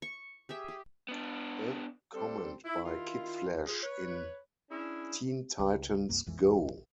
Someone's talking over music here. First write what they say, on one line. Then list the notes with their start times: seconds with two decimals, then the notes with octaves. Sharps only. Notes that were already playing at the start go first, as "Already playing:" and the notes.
A comment by Kid Flash in Teen Titans Go!
0.02 C#6
0.49 G4 G#4 E5
0.68 G4
1.09 B3 D4
2.13 G3 C4 D4 A4
2.65 E4
2.85 D#3 E4 F4
3.66 F4 G#4
3.83 B4 C#5
4.70 C#4 D4 E4 G#4
5.59 C#2
6.09 C2 F#2 A#3
6.26 B1 F2 E3 G#3